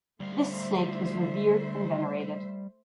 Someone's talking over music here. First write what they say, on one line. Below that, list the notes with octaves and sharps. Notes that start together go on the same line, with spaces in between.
This snake is revered and venerated.
D2 G3 A3 C5 E5 F5